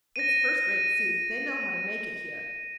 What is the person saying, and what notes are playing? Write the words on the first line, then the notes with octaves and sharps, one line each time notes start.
It's first-rate soup, they know how to make it here.
A#6 D#7